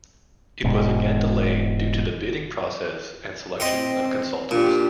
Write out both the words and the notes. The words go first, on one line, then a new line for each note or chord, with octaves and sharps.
It was again delayed due to the bidding process and selection of consultants.
E1 G#2 B2
C4 G4 D#5 C6
A#2 D4 G4